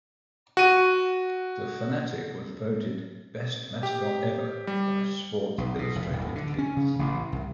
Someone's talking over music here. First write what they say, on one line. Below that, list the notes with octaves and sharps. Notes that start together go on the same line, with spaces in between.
The Phanatic was voted "best mascot ever" by "Sports Illustrated Kids".
F#4 D#7
G4
G3
B1
B2
F1
D1
D3
C#4
C#3
A1
C2